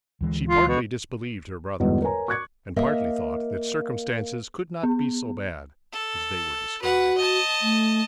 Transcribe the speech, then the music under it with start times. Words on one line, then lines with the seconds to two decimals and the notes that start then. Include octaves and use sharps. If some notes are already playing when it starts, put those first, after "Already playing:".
She partly disbelieved her brother, and partly thought that circumstances could not be so bad as they were described.
0.21 D2 E3 G#3
0.49 F4
0.68 B2
1.80 G1 E2 G#2 D3 F#4 D#5
2.02 A#4 B4 C#5 G#5 A#5
2.28 C#6 D6 F#6 G#6 C#7
2.76 A#3 A#4 D#5 E5
4.83 B3
5.92 A4
6.82 F#4 B4 F#5
7.18 D#5 A5
7.62 A3